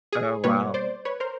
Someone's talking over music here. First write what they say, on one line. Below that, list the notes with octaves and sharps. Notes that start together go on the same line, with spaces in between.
Oh, wow.
G#4
B2 G3 A#3 B4 C#5
C5 D5
B4 C#5
A#4 C5